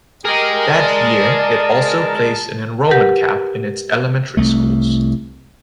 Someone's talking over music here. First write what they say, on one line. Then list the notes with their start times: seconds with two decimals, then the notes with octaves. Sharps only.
That year it also placed an enrollment cap in its elementary schools.
0.25 G4 G#4 A#4 D#5
0.68 D5 A5
2.91 G4 A#4 B4 F#5
4.37 C2 A3